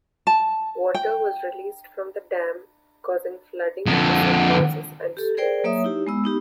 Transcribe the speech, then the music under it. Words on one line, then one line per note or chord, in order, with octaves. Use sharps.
Water was released from the dam causing flooding to some houses and streets.
A5
G5
F2 D3
G4 A4
G#4 A#4 C5 D5 G5
F#3 A#3 C#5 E5 D#6
D#4 E4 G4
G#3 B3 E6
B3 D#4 G4